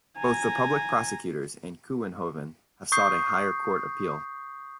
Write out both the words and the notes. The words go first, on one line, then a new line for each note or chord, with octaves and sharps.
Both the public prosecutors and Kouwenhoven have sought a higher court appeal.
G#5 A#5
C#6 D#6 G6 C7